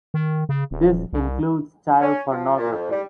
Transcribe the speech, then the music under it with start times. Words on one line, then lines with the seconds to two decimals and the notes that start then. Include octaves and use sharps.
This includes child pornography.
0.14 D#3
0.49 C#3
0.71 D#1
1.13 C2
2.01 C#4
2.31 F3
2.57 A#2
2.72 F2
2.91 G3